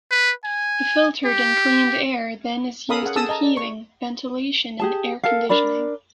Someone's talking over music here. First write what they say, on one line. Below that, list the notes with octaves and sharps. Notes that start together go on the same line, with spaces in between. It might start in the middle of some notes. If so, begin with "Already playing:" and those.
The filtered and cleaned air then is used in heating, ventilation and air conditioning.
B4
G#5
G4
C#4 A4 A#4 F5 B5 D#6
G#4 F#5
G#4 A4 A5 D#6 E6
D#5 A5 A#5
D5
C#6
G4 G#4 A5
A4 A#4 F5
D4 A#4 D5 B5